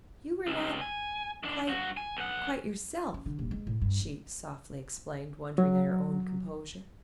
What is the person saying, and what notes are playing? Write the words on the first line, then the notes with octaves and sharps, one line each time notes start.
"You were not--quite--quite yourself," she softly explained, wondering at her own composure.
C#2 C3
G#5
D#3 D4
G2 F#4
G#5
B1 F#5
C#4
D3
D#1
G#3
A2
G2
D#1
F#3